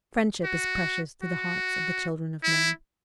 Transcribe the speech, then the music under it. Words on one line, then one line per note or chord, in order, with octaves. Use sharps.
Friendship is precious to the hearts of the children of men.
F#4
F#4
E4